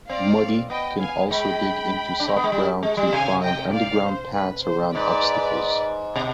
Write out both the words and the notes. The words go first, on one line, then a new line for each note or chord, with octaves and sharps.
Muddy can also dig into soft ground to find underground paths around obstacles.
C4 D5 F5
B3 D#5 G5
F5 G#5
G#3 G5 B5
D4
C4
B3
G#3
G3
G#3
G3
C3 F5 G#5
D#5 G5
D5 F5
C5
B4
C5
G#2 B4 D5
B2